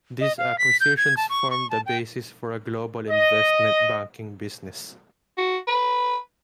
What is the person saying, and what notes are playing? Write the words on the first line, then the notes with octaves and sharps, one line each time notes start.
These acquisitions formed the basis for a global investment banking business.
D#5
F5
B6
G6
G#6
A5
C#6
C#6
A5
G5
D#5
F#4
B4